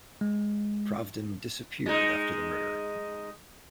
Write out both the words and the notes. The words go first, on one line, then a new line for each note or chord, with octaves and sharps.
Pravdin disappeared after the murder.
G#3
G#3 D#4